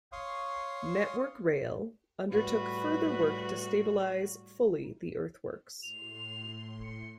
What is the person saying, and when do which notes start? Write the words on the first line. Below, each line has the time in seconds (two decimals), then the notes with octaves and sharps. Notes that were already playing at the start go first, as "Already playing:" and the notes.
Network Rail undertook further work to stabilise fully the earthworks.
0.12 C#5 F5 C6 C#6 D#6
2.30 A2 G3 F#4 B4
5.83 A2 C6 F7
6.83 C#7